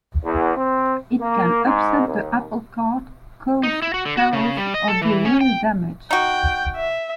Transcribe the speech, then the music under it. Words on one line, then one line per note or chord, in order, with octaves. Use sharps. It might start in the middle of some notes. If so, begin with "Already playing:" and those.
It can "upset the apple cart", cause chaos, or do real damage.
E2
C4
A#3
G#2
D#2
D#4
E4
F#4
D3
F#4
C#3
G3
D#5
A4
E3
C#4
G5
D#4 F#4 G5
E5